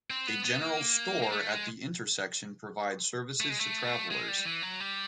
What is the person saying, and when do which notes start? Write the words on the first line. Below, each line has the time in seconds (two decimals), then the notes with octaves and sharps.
A general store at the intersection provides services to travellers.
0.10 C4
0.27 B3
0.45 B3
0.62 A#3
1.22 A#3
1.32 A3
1.50 G#3
3.40 A3
3.50 G#3
3.59 A3
4.11 G#3
4.28 G3
4.46 E3
4.62 F#3
4.80 G3